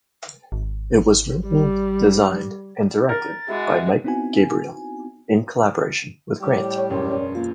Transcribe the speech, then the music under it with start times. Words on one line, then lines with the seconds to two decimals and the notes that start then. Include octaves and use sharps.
It was written, designed and directed by Mike Gabriel, in collaboration with Grant.
0.52 G#1
1.48 G3
3.09 A#4 A6
3.48 G#3 E4 F#4 E5 D6
4.04 B3 C4 D#4 E4 F#4 G#5
6.40 A2 G3 G4
6.75 C#5 D5 G5
6.90 E1 F#2 C#4 A#4 C6
7.35 A#3 F4